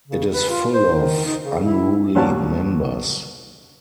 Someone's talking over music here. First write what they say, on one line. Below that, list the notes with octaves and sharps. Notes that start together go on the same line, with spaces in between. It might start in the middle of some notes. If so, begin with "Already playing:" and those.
It is full of unruly members.
C#3
B4
F4
C5
D#3
D#4
C#3
E4
D#2 A#2 F#3 G3 C#4 A5